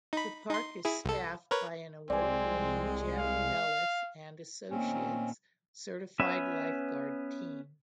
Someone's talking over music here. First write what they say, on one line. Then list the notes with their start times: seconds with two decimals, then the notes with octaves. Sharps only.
The park is staffed by an award-winning Jeff Ellis and Associates certified lifeguard team.
0.13 D#4 B5
0.50 D#4 C6
0.85 E4 G#4
1.05 C2 A4
1.51 A#4 B4 C#5
2.10 C2 G#3 C4 D5 G#5
3.17 F5
4.70 A#2 D#3 A3 C4 C#4
6.19 B3 C#4 B4 E5